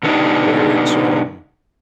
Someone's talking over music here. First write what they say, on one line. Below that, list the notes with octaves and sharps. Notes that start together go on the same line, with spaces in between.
where it's, um
B2 D3 B3 D4 D#4 G4